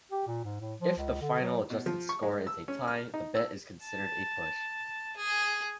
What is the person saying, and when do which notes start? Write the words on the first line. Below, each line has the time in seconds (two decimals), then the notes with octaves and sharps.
If the final adjusted score is a tie, the bet is considered a push.
0.12 G4
0.27 A#2
0.44 G#2
0.60 A2
0.81 F3
0.98 C#2
1.21 D3
1.41 F#3
1.70 B2
1.86 F3
2.09 C#6
2.23 G#3
2.47 E6
2.68 C#4
2.88 F6
3.14 D#4
3.35 E6
3.84 A5
5.17 G#4